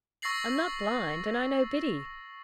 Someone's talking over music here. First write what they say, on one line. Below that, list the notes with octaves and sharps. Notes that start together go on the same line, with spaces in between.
'I'm not blind, and I know Biddy.
C#6 E6 A6 A#6 C7 F#7